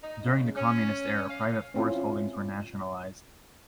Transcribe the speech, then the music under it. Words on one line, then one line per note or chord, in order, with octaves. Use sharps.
During the communist era private forest holdings were nationalized.
D#4
C#3
C#4
F5
C4 C#4 E4 F4